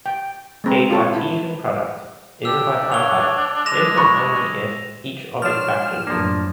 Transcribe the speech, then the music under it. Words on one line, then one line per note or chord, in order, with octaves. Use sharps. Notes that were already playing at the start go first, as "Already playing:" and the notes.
A Cartesian product is bipartite if and only if each of its factors is.
G5
G#3 C4 A#5
F4 A4 C#5
E4
D4 G4 E6
C#5 F7 G7
G#3 A#6 E7 F7
B5 C#6
F3 D4 C#5 F6 E7
F#2 A2 F3 A#3 D4